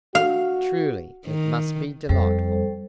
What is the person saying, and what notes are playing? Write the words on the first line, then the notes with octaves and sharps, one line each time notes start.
Truly it must be delightful.
F#4 F5
D#3
F2 G3 A4 C5